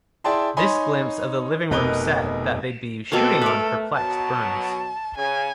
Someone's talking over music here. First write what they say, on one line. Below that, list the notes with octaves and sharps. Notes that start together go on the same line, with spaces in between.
This glimpse of the living room set that they'd be shooting on perplexed Burns.
E4 G#4 D5 G5 A5 C6
D#4 C#5 G#5 B5 C6
F1 B2 D#4 A#4 B4 G7
B2 A#3 C4 A4 F5
A3 A#4 B4
B2 F#3 A5
C#3 G#5